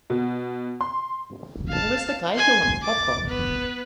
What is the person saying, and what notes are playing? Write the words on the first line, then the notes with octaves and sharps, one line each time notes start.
Who is the guy who wants popcorn?
B2
C6
F5 A5
G#5 C6
D6 A6
B3 B4